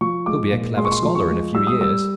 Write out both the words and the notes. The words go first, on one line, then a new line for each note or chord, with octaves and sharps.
He'll be a clever scholar in a few years.'
F3 C#6
G#3 D6
A#2
G#3 C6
C#6
C6
F3
C#6
G#3
G3 E6
D#6
G3 E6